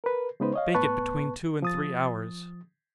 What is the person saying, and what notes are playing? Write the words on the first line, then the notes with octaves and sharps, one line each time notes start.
Bake it between two and three hours.
A#4 B4
C#3 G#3 B3 D#4 B4 C5
C#5 D#5 F5
A2 B3 B4 A5 C#6 F#6
F3 D#6 A6